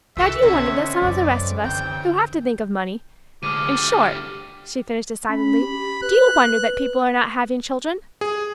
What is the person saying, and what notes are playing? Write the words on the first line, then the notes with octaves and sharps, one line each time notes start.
Now do you wonder that some of the rest of us, who have to think of money--in short," she finished decidedly, "do you wonder that people are not having children?
C2 D#3 F#4 A4 E5
B2 D3 E3 A3 C4 C#4 F#4
F#2 C3 D5
D#2 D3 G5
D2 G#3 D6 F6 D#7
D2 G3
C#4 B5
G4
B4 F#6
G#4